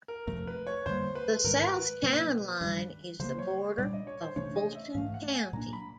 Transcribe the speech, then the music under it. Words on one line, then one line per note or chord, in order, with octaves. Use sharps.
The south town line is the border of Fulton County.
A#4
F2 C3 F3 A3 A#4
B4
C#5
F2 D3 G3 A#3 C5
B4
G#2 D#3 G#3 A#4
B4
B2 F#3 A#3
G2 D#3 G3
C#3 F#3 A#3 C5
C#5
C#5
A#2 G3 A#3 D4 D5
D#5
C#5
C5
C3 E3 A3 D4 C#5
D#5
E5
G#2 E3 A3 F5
F5
F#5
G#5
A#2 F#3 A#3 D4 A#5
B5